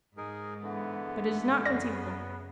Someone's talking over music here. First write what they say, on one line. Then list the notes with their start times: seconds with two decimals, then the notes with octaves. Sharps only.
But it is not conceivable.
0.17 G#2 D#4 G#4 A#4
0.62 D3 E3 B3
1.65 F#2 C#3 D5 A#6